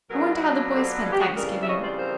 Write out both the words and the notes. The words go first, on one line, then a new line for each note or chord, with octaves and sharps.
I wonder how the boys spent Thanksgiving.
B2 F#3 B3 D4 F4 G#4 A#4
G4 A4
G#4
G4
F#4 G#4
F2 C#3 E3 G3 G#4 A#4
E5
C#5 D#5
C5 D5
A#4 C5